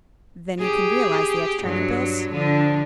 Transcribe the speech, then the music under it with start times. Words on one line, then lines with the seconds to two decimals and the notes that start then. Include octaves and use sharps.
"Then you can realize the Exchequer bills?"
0.59 G4 G#4
1.63 G2 F#3
2.32 D3 F3